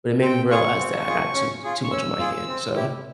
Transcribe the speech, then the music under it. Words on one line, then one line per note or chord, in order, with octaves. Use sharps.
but it made me realize that I got too too much on my hand, so
C4 G5
F4 G#4 C#6
C4
F4 G#4
C#4
F4 G#4
C#6
C#4 E6
F4 G#4
C4
E4 G4